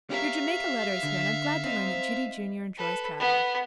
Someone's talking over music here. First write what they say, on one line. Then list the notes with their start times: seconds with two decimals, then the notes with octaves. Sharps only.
Your Jamaica letter is here, and I'm glad to learn that Judy, Junior, enjoys traveling.
0.10 C#4 G4 A#4 E5 F5
1.03 D3
1.64 C4 D#4 C5
2.77 A4 B4
3.18 B3